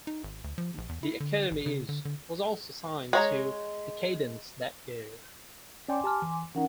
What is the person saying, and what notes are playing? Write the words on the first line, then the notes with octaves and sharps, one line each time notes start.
The Academy Is... was also signed to Decaydance that year.
D#4
G#1
D2
F3
A#1
E2
E4
D3
A1
C#3
D3
D3
G#3 C#5 A#5
C#4 D5 G5 G#5 C6 D6
G4 A5 F6
E3
E3 C#4 D#4 A#4 F#5